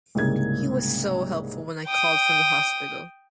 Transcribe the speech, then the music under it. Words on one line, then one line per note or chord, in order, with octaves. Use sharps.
He was so helpful when I called from the hospital.
C2 G#2 C#3 A#3 G#6
G5 D#6